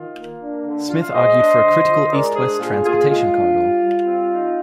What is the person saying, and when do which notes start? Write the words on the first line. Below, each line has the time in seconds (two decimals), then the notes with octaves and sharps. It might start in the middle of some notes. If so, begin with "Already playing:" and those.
Smith argued for a critical east-west transportation corridor.
Already playing: D#3 F4
0.17 A#3
0.40 D4
0.66 D3
0.90 F4
1.00 F5
1.13 G#3 C5 D#5
1.38 D4
1.62 D3
1.87 F4
2.11 G#3 A#4 D5
2.35 D4 G#4 C5
2.60 A#2 F4 G#4
2.84 A#2 F4 G#4
3.09 G#3 F4
3.33 D4
3.58 G3
3.82 G3
4.07 C4
4.31 D#4